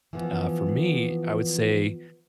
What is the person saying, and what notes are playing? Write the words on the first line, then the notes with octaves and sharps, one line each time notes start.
Uh, for me, I would say
E3 F3 B3